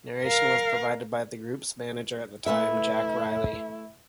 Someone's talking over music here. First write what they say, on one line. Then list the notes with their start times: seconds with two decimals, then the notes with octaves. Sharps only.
Narration was provided by the group's manager at the time, Jack Rieley.
0.24 A#4 F5
2.46 A3 E4 B4 E5